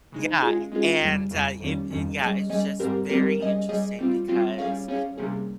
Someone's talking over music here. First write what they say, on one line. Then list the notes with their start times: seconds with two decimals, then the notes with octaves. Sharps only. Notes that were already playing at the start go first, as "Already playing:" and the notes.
Yeah, and, uh, it it yeah, it's just very interesting because,
0.12 C#3 G#3 D#4
0.42 G#3 C#4 F4 G#4
0.72 G#3 C#4 F4 G#4
1.01 F2 C#3 G3
1.31 F2 C#3 G3
1.60 F2 D#3 G3 C#4
1.90 F2 D#3 G3 C#4
2.21 G3 C#4 G#4 D#5
2.50 G3 C#4 G#4 D#5
2.80 G#2 G3 C4 G4 A#4
3.09 G#2 G3 C4 G4 A#4
3.40 G3 C#4 G#4 D#5
3.69 G3 C#4 G#4 D#5
3.99 G3 C4 F4
4.28 G3 C4 F4
4.58 G3 C#4 G#4 C#5 F5
4.88 G3 C#4 G#4 C#5 F5
5.18 C3 G3 A#3 C#4 G#4